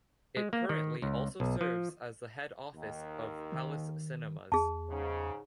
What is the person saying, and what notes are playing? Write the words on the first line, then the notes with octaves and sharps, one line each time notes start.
It currently also serves as the head office of Palace Cinemas.
G#3
A#3
D#3
C#2
B1
F3
D#2
D#3
E2 G#4 A5
G#2 C#3